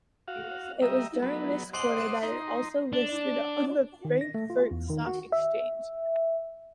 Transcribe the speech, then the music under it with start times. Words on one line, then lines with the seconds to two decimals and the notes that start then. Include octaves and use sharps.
It was during this quarter that it also listed on the Frankfurt Stock Exchange.
0.28 F#4 F5
0.82 G3 D#5 E5 A#5
1.22 F#3 B3
1.73 C5 D#5 F#5 C6 D6
2.23 D#4 A#5 C6
2.93 D4
4.05 D#3
4.21 A#6
4.34 A3
4.50 F4
4.71 E2
4.90 D#3
5.07 F#4
5.32 E5